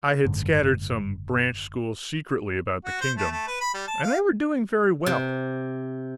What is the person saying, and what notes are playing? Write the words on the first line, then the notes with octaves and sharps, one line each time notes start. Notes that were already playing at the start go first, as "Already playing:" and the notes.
I had scattered some branch schools secretly about the kingdom, and they were doing very well.
F#1 G#2 D3
F#4
C5
A3
A3
B4
B5
G3
A5
F5
C3